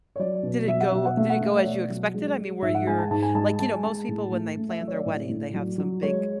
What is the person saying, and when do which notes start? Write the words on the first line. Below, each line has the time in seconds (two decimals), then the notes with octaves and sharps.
Did it go Did it go as you expected? I mean, were your like, you know, most people when they plan their wedding, they have some big
0.16 C#5
0.19 F#3 D5
0.43 B2
0.67 F#3 E5
0.81 F#5
0.92 B2 E5
1.05 F#5
1.17 A3 E5
1.30 F#5
1.41 A3 E5
1.57 C#5
1.65 B2 D5
1.90 F#3
2.14 G#3
2.38 G#3
2.62 G#2 E5
2.75 F#5
2.87 G#3 G#5
2.99 A5
3.11 G#2 A5
3.22 G#5
3.35 G#3 A5
3.59 G#3 A5
3.74 G#5
3.84 G#3 A5
4.08 A2
4.32 A3
4.57 A3
4.69 E5
4.81 F#3 E5
4.88 C#5
4.93 D5
5.06 A2
5.29 A2
5.54 F#3
5.78 F#3
6.02 G#3 C#5